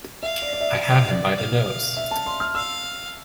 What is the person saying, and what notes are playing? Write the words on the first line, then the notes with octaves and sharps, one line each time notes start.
I have him by the nose!
E5 F5
D5
D5
E5
F5
D5
F5
E5
A5
C6
F6
F5 E6